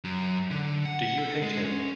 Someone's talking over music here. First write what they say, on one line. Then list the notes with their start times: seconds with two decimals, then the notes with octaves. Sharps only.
Do you hate him?
0.04 F#2
0.51 D3
0.85 F#5
1.18 A4
1.42 G#3
1.64 C#4